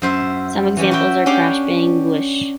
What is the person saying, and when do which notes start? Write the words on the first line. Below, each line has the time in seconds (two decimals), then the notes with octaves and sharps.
Some examples are crash, bang, whoosh.
0.02 F#2 C5 E5
0.77 E3 C#4 G4
0.91 F#4 B4 E5 G5
1.26 C#4 D4 G4 F5 G5